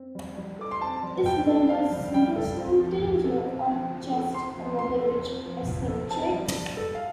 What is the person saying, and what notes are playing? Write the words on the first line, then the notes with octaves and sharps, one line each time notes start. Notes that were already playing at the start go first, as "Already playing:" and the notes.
Is Linder seriously in danger or just another rich eccentric?
Already playing: C4
G3
G3
A4 D6
C6
C4 A5
G3
G3 G5
A4
C4 F5
G3
G3 G5
A4
C4
F3
F3
A4
C4
F3
F3
A4
C4 C6
F3
F3 C6
A4
C4
F3
F3
A4
C4 A5
G3
G3
A4
F5